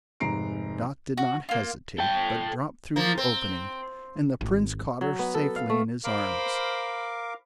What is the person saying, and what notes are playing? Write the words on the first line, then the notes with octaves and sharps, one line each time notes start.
Dot did not hesitate, but dropped through the opening, and the Prince caught her safely in his arms.
F1 G#2 A#5 C7 D7
F#4
A#3 F4
A4 G5
F3 A#3
C4
G#1
F#3
B3
A4
F5
A3
A#4 C5 F5 B5 D6